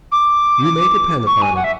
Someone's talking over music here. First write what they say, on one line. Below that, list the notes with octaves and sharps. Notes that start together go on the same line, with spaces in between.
"You may depend upon it."
D6
C#6
G#5
F#5
E5